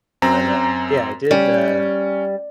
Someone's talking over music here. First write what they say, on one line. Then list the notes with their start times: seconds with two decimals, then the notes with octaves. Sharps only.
But, uh, yeah, I did, uh
0.22 F#2 C4 A#5
1.31 G3 C#4